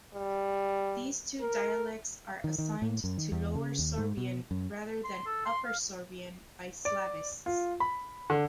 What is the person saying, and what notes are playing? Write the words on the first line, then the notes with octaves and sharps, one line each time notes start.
These two dialects are assigned to Lower Sorbian rather than Upper Sorbian by Slavists.
G3
A#4
D#3
D#3
A2
F#2
D#3
E2
C#3
D#2
G#2
B2
F#2
C6
A4
C6
F5
D5
F4
B5
D3